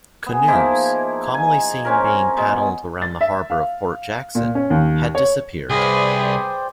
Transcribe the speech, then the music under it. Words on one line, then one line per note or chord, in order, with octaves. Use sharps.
Canoes, commonly seen being paddled around the harbor of Port Jackson, had disappeared.
B3 G#4
F3 A#3 D#4 E4
G#5
C4 C#4 A#4
B2 G#3
A6
E5
F5
A#2
C#4
D#2
C#5
C2 G#4 B4 C5 D5 G5